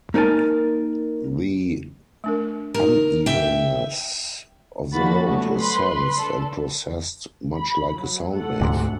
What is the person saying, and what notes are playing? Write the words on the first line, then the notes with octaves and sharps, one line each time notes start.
The unevenness of the road is sensed, and processed much like a sound wave.
A#3 D#4 A#4 G#5 A5
A3 D4 A#4
D#4 A#4 A#5
E5 G5
D3 F3 A#3 F#4 B5 A6
F#3 G3 A3 B3 C#4 F#4
B4 B5 C6
D4 A4
B5
F#3
A3 A4 F#5
D2 G#2 C3